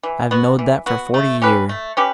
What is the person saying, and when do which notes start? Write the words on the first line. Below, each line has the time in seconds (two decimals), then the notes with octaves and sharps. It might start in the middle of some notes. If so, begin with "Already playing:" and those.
I've knowed that for forty year.
0.03 E3
0.31 B3 F#4
0.59 E3
0.86 B3 F#4
1.14 A3
1.42 C#4 G4 B4
1.69 A3
1.97 C#4 G4 B4